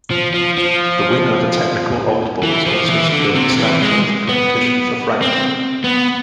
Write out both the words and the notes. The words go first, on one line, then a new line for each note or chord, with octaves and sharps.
The win over Technical Old Boys also secured the Stag Trophy competition for Frankton.
F3
F3
F3
E3
F3
E3
D3
C3
E3
G#3
B3
C4
B3